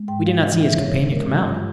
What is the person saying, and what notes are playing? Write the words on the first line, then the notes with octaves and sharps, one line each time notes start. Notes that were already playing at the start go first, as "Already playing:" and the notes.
"We did not see his companion come out."
Already playing: G#3
G#2 G5
F5
E3 F5
E5
G2 C#5
C5
G#3 A#4
G4
G2 F4